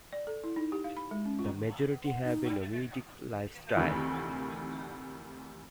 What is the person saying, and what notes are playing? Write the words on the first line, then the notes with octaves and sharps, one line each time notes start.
The majority have a nomadic lifestyle.
D5
A4
E4
D#4
G4
F5
B5
G#3
C#4
F4
F#5
D#4
D2 C3 D#3 E3